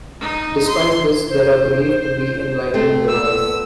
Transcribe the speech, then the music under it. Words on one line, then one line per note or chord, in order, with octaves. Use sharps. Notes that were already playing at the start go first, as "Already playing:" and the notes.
Despite this, there are believed to be enlightened devas.
D#4
C6
C5
A3 C4
B3 E6